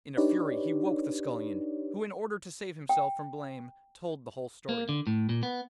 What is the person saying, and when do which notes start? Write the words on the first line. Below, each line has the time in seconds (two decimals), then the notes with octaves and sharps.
In a fury he woke the Scullion, who in order to save himself from blame told the whole story.
0.17 D4 D#4 G4 B4 C#5 D5
2.89 G5
4.69 A#3
4.89 D3
5.07 A2
5.29 A#2
5.43 B3